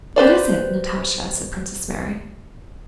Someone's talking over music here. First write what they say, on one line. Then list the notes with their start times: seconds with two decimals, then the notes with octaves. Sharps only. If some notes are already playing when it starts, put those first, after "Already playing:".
"What is it, Natasha?" said Princess Mary.
0.16 G4 B4 C5 D5